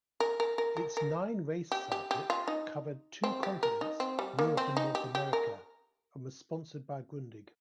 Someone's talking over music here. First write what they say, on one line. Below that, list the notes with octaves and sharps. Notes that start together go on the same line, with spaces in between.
Its nine-race circuit covered two continents-Europe and North America-and was sponsored by Grundig.
A#4
A#4
A#4
A#4
A#4
G4
G4
G4
F4
D#4
C4
G4
A#4
D#4
C4
G3
A#3
C4
D#4
G4
G4
A#4